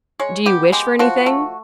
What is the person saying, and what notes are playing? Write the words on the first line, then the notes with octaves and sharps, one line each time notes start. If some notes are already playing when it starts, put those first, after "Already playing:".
"Do you wish for anything?"
G#3 C#5
B3 G4
G#3 G4
F3 F#4
A3